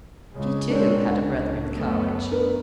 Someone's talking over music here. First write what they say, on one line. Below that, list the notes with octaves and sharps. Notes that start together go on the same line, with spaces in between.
She, too, had a brother in College.
C#2 C#3 G#3
G#1 G#3 C4 D4 A#4 C#5
C#2
F#2 A3 B3
D4 A#4 B4